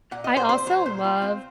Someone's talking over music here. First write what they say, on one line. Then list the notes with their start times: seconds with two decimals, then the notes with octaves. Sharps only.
I also love,
0.11 A#2 F#5
0.24 D#5
0.30 A#2
0.37 C5
0.49 C4 C5
0.67 F#3 C5
0.85 A#2 C5
1.04 F4
1.22 C4